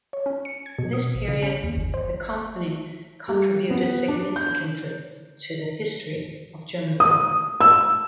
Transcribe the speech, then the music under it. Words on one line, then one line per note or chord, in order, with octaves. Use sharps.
In this period, the company contributed significantly to the history of German film.
C#5
C#4
C#7
G#6
B2
D#6
A1
C#3
C#4
D#2
G1
C5
G3
B3
D4
G6
D#6
E6